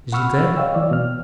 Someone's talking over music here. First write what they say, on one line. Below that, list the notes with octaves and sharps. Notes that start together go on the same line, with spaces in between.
Is he dead?'
F#5 B5 C#6 E6 F6
C#5 D#5 F5 G5 E6
E3 D5
B2 F6